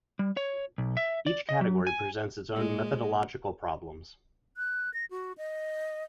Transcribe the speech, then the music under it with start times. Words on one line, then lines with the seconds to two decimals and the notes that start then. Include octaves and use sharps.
Each category presents its own methodological problems.
0.19 G3
0.37 C#5
0.78 B1
0.97 E5
1.26 D5
1.49 D#5
1.61 F#3
1.87 G#5
2.51 A#2 G#3
4.57 F#6
4.94 A#6
5.11 F#4
5.38 D#5